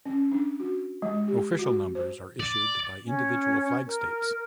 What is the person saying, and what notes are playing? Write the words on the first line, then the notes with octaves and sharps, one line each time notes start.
Official numbers are issued by individual flag states.
C#4
D4
F#4
G#3
G4
F#4
C5
D5
C#4
A#4